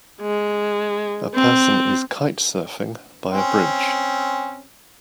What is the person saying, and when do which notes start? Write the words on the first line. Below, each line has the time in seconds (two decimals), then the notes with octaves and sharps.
A person is kite surfing by a bridge.
0.21 G#3
1.35 C4
3.33 C4 C#4